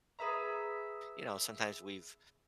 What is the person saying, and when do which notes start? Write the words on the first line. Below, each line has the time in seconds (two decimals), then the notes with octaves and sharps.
you know, sometimes we've,
0.19 G#4 B4 E5 A#5